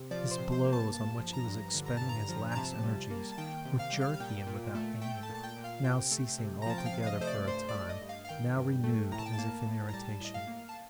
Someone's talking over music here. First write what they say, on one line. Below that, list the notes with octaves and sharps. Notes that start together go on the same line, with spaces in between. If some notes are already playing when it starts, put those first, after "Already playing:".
His blows, on which he was expending his last energies, were jerky and without aim; now ceasing altogether for a time, now renewed as if in irritation.
Already playing: C3
F3 D5
C5
C3
C5
A#3
A5
G2 A5
F3
A#5
G2
D3
A#5
G2 A5
A#5
F3
A#5
C3 A5
G3
A#3
A5
D#3 G5
C3
F5
G3 G5
F5
F5
A#2 G5
A#2
A3
A3 G5
A5
A#2
A5
G5
A#2
F5
C3 G5
A3
C3
A#5
F3 A5
G5
F5
C3
F5
D#5
A3 C5
D5
G2 C5
D5
A3
D#5
G2
F5
F5
D#3 G5
G2
A3
A2 A#5
A5
G5
A#3 A5
A2
A#5
G3 A5
A2 D#5
F5
A#3
A5